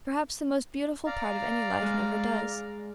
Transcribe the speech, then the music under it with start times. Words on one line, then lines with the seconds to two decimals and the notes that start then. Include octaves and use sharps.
Perhaps the most beautiful part of any life never does.
1.06 D5 F5 A#5
1.82 G#3